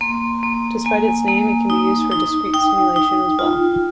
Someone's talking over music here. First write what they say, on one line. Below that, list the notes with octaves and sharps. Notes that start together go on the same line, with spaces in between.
Despite its name it can be used for discrete simulation as well.
A#3 C6
A#3
A#3 G#5
A#3
D#4
D#4
D#4 G5
D#4
F4